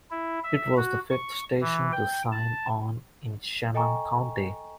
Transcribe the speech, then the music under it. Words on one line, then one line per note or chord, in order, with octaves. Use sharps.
It was the fifth station to sign on in Chemung County.
E4
E5
F#4
C#6
E3
G5
A5
A4 D#5 G5 G#5 A#5 C#6